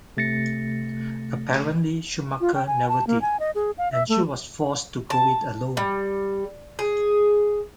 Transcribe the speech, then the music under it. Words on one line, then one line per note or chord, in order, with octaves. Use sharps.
Apparently Schumacher never did, and she was forced to go it alone.
C3 A3 A6 A#6 C#7
F4
G5
G#5
A5
A#3
G#5
D#5
G#4
F5
E5
A3
A5
G3
G#4